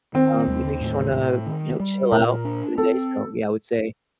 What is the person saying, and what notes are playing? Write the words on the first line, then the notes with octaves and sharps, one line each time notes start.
um, you know, you just wanna, you know, chill out for the day, so yeah, I would say,
D#3 C4
D#2
A2
A2
D#3
G3
A#2 A#4
D4
C4 A4